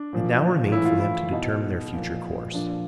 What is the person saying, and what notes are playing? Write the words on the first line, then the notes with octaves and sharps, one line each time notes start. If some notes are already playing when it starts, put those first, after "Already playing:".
It now remained for them to determine their future course.
Already playing: D4
A#2 F3
A2 E3 E4
F4
E4
B2 D#4
A#2 F3
A#2 F3 D4